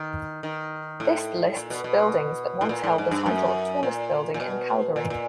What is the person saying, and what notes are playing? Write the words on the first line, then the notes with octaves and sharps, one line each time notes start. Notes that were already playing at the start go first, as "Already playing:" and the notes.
This lists buildings that once held the title of tallest building in Calgary.
Already playing: D#3
D#3
A2
A#2
B2
B2
A2
A#2
A2
G#2
G2
F#2
A#2
A#2
B2
A#2
A#2